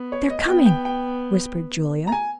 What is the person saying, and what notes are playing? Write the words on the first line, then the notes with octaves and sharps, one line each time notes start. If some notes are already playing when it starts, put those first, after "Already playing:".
"They're coming," whispered Julia.
Already playing: B3
C#5
D#5
B3 G5
G5
G5
A#5
G#5